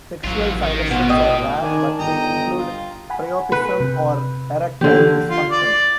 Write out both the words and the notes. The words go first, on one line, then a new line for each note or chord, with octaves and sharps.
Sexual side effects are rare, but may include priapism or erectile dysfunction.
A1 F#3 F4
D#3
B2 B3 F4
A2 D#5
D#3 D4 G#5
G1 D#5 G5 A#5
F4
F#5 G#5 B5
B4
C3
D3 E3 A#3 D4 G4
F4
D5